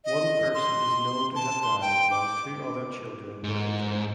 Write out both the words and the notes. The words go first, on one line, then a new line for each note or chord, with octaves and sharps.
One person is known to have died while two other children were injured.
D#5
C6
A5
C6
G5
D6
G#2